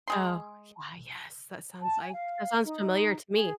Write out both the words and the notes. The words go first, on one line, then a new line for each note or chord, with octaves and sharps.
Oh, yeah, yes, that sounds, like that sounds familiar to me.
G#3 G#4 C6
A5
G#5
F5
D#4
G#4